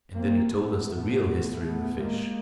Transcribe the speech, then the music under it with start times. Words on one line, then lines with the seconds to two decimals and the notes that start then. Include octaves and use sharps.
And then he told us the real history of the fish.
0.13 A#2 A#3 C4
0.50 A#2 A3 B3
0.87 A2
1.25 A2
1.61 A#2 A3 B3
1.98 A2 G#3 A#3